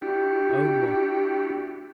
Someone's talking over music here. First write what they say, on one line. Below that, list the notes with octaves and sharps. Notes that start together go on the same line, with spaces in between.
Own what?
D4 E4 F#4 G4